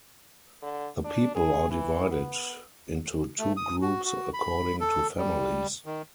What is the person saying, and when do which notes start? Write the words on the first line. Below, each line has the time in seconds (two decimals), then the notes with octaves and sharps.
The people are divided into two groups according to families.
0.62 D3
1.05 D4
1.35 G#4
1.71 E3
2.11 B3
3.39 A3
3.57 D#6
3.82 F#4
4.05 F#4
4.34 B5
4.80 A4
5.18 G3
5.86 D#3